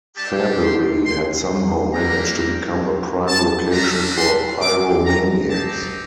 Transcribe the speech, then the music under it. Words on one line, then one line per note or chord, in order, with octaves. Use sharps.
Fairbury had somehow managed to become a prime location for pyromaniacs.
G3 D4 G4 A5
C6
C6
G3 A#3 D4 G4 A#5
A5
A3 D4 F#4 A#5
C6
D6
A#5
C4 D#4 G4 A5